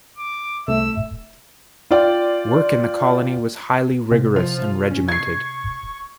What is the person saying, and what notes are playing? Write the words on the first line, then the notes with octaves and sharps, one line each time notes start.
Work in the colony was highly rigorous and regimented.
D6
C2 A3 E5 E6
F4 D5 G5
C3
F3 F4
C#4
C#6 G#6 C7